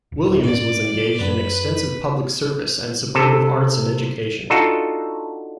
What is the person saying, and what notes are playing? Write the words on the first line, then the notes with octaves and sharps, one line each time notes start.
Williams was engaged in extensive public service and support of arts and education.
D#1
G#2 B3 C#4 D5
F#2 B3 D4 B4
C3 A4
D4 D#4 F4 F#4 A4